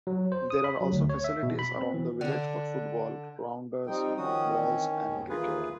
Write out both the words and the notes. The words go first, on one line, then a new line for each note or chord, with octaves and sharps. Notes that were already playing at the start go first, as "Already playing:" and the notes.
There are also facilities around the village for football, rounders, bowls and cricket.
F#3
C5
D#6
B5
F#3
D2
C#5
E5
B2
B5
C4
E3
D3 D4
F3 G3 C4 D#4 G5
D#3 F3 C#4 F#4 D#6
E3 C4
D#2 G#2 B2
D#2 E3 A#3 F4 G#4 B4